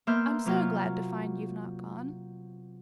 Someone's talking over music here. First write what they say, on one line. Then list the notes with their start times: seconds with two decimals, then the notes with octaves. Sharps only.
"I'm so glad to find you've not gone."
0.07 A#3 B3 E5 C6 F6 G6
0.45 C3 F#3 A#3 F4